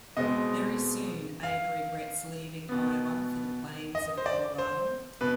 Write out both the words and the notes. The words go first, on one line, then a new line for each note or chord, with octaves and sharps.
Very soon Ada regrets leaving Iowa for the plains of Colorado.
B2 G#3 C4 D#5
F5
B2 B3
D#5
C5
D5
C5
B2 B4